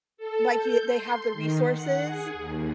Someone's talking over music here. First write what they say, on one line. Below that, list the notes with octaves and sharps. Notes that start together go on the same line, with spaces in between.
like you they have the resources
A4
G6
C6
D#3
F#5
G#4
D#2